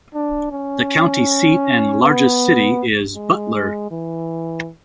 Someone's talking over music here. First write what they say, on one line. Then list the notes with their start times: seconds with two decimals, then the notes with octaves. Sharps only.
The county seat and largest city is Butler.
0.15 D4
0.52 C#4
2.03 B3
3.15 G#3
3.91 E3